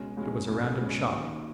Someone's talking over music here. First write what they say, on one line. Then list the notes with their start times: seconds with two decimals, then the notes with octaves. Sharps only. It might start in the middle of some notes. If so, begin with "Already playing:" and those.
It was a random shot.
Already playing: C#2 B2 G#3 C#4
0.17 C#2 B2 G#3 C#4
0.47 C#2 B2 G#3 C#4
0.79 C#2 B2 G#3 C#4
1.10 D#2 D#3 F#3